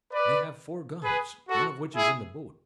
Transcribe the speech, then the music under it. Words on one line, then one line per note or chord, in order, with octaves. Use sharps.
"They have four guns, one of which is in the boat."
B4 D5
G#4 B4
F#4 A4
E4 G#4